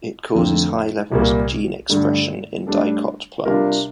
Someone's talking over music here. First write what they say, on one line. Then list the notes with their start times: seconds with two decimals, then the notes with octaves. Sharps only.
It causes high levels of gene expression in dicot plants.
0.35 F2 D3 F3 A3 C4
1.12 C2 A#2 G3 A#3
1.89 G2 D3 A3
2.67 A2 G3 D4 A4
3.45 C3 G3 D4 F4 A#4